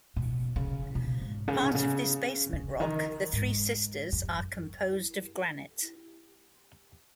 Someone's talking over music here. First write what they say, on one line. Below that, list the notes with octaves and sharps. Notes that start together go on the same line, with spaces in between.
Part of this basement rock, the Three Sisters are composed of granite.
B2
C#3
B2
G#2
C#3
B2
C#3
C#3
D#3
G#2
F#2